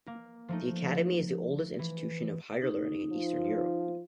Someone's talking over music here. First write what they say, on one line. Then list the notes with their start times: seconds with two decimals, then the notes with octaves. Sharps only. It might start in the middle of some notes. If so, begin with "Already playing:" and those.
The academy is the oldest institution of higher learning in Eastern Europe.
0.07 A#3
0.48 F3 A3 D#4
1.79 E3
2.62 D#4
3.11 F3